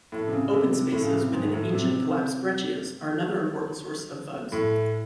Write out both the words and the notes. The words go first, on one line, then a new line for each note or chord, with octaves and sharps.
Open spaces within ancient collapse breccias are another important source of vugs.
A2
C3
C#3
C3
C3
A2
C#3
C3
G#2
A2
C3
C3
A2